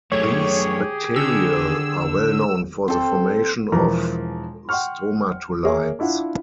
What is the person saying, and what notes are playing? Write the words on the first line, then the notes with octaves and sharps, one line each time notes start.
These bacterial are well known for the formation of stromatolites.
F#2 A3 G4 G#4 C#5
D3 E6
C4 A4
E1 E3 F3 A#4 A#5
F#5 G5 C6 C#6 F6
A#3 G#4 A#4 C#5 E5
D4 E4 F4 F#5